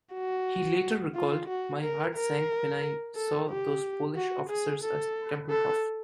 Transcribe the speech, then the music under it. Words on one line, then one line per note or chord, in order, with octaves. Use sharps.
He later recalled, My heart sank when I saw those Polish officers at Tempelhof.
F#4
F4
F#4
A#4
A#4
A4
G4
F#4
G#4
A4
A4